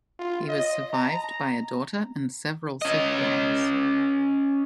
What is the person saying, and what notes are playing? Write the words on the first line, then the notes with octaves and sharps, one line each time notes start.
He was survived by a daughter and several siblings.
F4
D#5
A#5
C#4 D#5